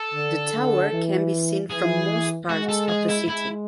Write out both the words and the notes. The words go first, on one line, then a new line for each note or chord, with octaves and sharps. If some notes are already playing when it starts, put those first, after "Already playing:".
The tower can be seen from most parts of the city.
Already playing: A4
D3
D3
E3
E3 G#4
G#3 F#4
A4
G#4
E4
G#3 E4